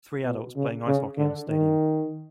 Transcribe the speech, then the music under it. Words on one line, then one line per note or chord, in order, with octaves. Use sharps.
Three adults playing ice hockey in a stadium.
B2
C#3
C#3
D3
D#3